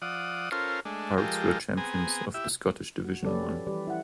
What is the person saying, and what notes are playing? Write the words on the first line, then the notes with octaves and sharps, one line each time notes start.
Hearts were champions of the Scottish Division One.
F3 D5 F#5 D#6
C#4 F4 A4 A#4 C5
G#3 A3 D4
F3 G#3 G4 A4 A#4
B3 C4 G#4 G#5 A#5
E4 G4 E5
F#4
F3 C#4 G4 A4 B4 D5
E3 G3 G4 B4 D5
E4 F#5